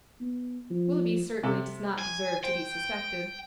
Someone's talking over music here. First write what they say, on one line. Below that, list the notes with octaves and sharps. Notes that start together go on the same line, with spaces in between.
Willoughby certainly does not deserve to be suspected.
B3
F3
C3 A4
G#5
C5 G5